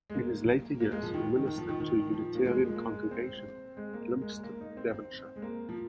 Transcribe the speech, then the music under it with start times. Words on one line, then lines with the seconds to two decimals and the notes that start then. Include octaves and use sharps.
In his later years he ministered to a Unitarian congregation at Lympston, Devonshire.
0.10 G#3
0.14 A#3
0.80 A#3
0.92 G#3
1.02 F3
1.14 D#3
1.36 D#3
1.46 D#3
1.58 F3
1.69 D#3
1.80 D#3
2.13 F3
2.35 A#3
2.46 G#3
2.57 F3
2.67 G#3
2.76 A#3
2.84 G#3
3.11 C4
3.77 G#3
3.93 A#3
4.11 A#3
4.21 G#3
4.32 G#3
4.43 A#3
4.60 D#4
4.77 C4
5.36 G#3
5.42 A#3
5.69 F3